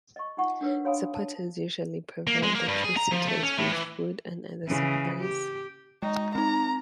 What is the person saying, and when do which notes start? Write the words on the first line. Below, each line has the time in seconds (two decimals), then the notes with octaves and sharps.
Supporters usually provide the tree sitters with food and other supplies.
0.16 D#5 C#6
0.37 D#4 F4 F#5 C#6
0.61 D4 A#4 B4 C#5
0.85 F#4 C#5 F5 G#5 B5 D#6
1.15 A5
2.27 A#3
2.43 G#3
2.55 A#3
2.68 G2
2.84 G#4
2.97 A#5
3.12 F3
3.29 A3
3.43 C#4
3.58 A2
3.72 E3
4.68 C#3 E3
5.20 G4
6.03 G#3 D#4
6.35 C4 D#4 A#5